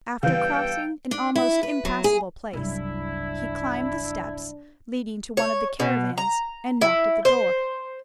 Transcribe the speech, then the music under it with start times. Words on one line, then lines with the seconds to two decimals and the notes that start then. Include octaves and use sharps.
After crossing an almost impassable place, he climbed the steps leading to one of the caravans and knocked at the door.
0.23 E2 G2 C#3 E3 A4 F5 G5
1.11 D4
1.35 E4
1.63 B4
1.85 F#3
2.04 G#4
2.53 F1 C2 F#2 D4 E4
5.37 C#5
5.80 B2
6.18 A#5
6.81 E4
7.25 C5